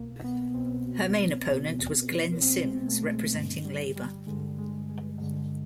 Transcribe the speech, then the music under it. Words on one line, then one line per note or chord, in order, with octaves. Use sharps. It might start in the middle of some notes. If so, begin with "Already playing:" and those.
Her main opponent was Glenn Sims, representing Labor.
Already playing: C2 B2 A#3
B3
C2 B2 C4
C2 B2
C2 B2 C4
G#3
A3
G#3
G2 D3 G#3
G3
G3
G2 D3 G#3
G#3
G#3
G2 D3 G#3